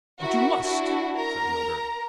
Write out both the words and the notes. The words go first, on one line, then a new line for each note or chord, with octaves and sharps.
"But you must," said Melbury.
E4 F#4 A#4 E5
D4 E4 F#4
A#4 A#5